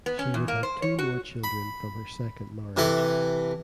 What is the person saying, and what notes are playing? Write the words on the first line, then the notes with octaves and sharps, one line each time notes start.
She would have two more children from her second marriage.
B3
C#4
E2
A#3
C5
C#5
F#4
B5
C3 E3 E4 A4